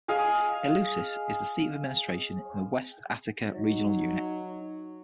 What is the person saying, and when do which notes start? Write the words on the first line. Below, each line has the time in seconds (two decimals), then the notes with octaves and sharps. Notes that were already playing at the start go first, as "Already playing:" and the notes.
Eleusis is the seat of administration of West Attica regional unit.
0.08 G#4 D#5 F5 G#5
3.52 F#3 D#4